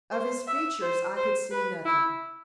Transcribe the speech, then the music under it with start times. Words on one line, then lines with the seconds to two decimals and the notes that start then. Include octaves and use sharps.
Of his features I could see nothing.
0.12 C5
0.47 E5
0.82 C5
1.17 C5
1.51 B4
1.85 E4